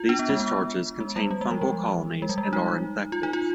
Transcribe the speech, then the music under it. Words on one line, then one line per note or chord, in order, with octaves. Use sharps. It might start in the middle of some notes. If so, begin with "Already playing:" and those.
These discharges contain fungal colonies and are infective.
Already playing: F4
D4
B3
G#3
B3
G#3
G3
G3
G#3
F3
F3
G#3
G3
G#3
D#4
F4
D#4
F4